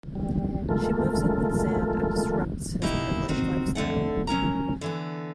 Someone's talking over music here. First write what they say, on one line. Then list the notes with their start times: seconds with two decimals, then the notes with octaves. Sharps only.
She moves in with Zand and disrupts his privileged lifestyle.
0.15 G3
0.69 G#3 A3 F4 A4 A#4
2.82 B2 A#3 D#4 E4 G4
3.28 D#3 C4 F#4
3.75 F2 D3 A3 F#5
4.27 F#3 C#4 A#4 A#5
4.81 D3 E3 B3